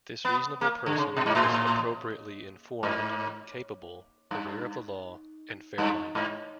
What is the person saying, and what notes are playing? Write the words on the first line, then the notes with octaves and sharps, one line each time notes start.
This reasonable person is appropriately informed, capable, aware of the law, and fair-minded.
B3
A#3
D3
C#3
B2
G#2
A2
G#2
G2
G2
G#2